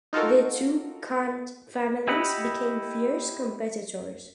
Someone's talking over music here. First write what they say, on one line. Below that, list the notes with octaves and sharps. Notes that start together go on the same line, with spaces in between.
The two Cant families became fierce competitors.
D#4 F4 F#4 A4 A#4
E4 G4 D#5 F#5 B5